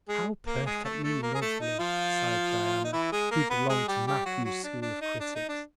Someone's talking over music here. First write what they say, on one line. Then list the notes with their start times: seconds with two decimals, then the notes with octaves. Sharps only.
"How perfectly lovely!" sighed Diana, who belonged to Matthew's school of critics.
0.09 G#3 G#4
0.47 A#3 A#4
0.66 G#3 G#4
0.85 A3 A4
1.04 A3 A4
1.22 A#3 A#4
1.35 G#4
1.42 A3 A4
1.60 D#4
1.79 F3 F4
2.85 D#4
2.93 E3 E4
3.12 G#3 G#4
3.31 A#3 A#4
3.50 B3 B4
3.69 G#3 G#4
3.88 G3 G4
4.07 G3 G4
4.26 F#3 F#4
4.45 F#3 F#4
4.64 D4
4.82 D4
5.02 D#4
5.21 D4
5.35 D#4
5.49 D4